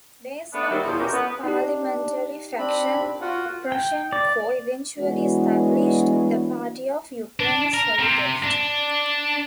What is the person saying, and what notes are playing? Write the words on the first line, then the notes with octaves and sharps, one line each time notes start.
Based on his parliamentary faction Poroshenko eventually established the "Party of Ukraine's Solidarity".
A3 B3 D4
D#2 F#3 G3
E2 B2 F3
B2 C#4 F#4 G4 A#4
B3
D4 D#4 G4
C4 D4 B5
F4 F#4 F#5
G5
D5
E3 F#3 G#3 B3 D4 F#4
D4
A#4
C3
D4